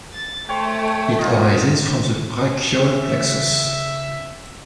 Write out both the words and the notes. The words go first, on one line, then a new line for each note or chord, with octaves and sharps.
It arises from the brachial plexus.
A6
A3 C5 C#5 G5
D#4 F4
C#3 E5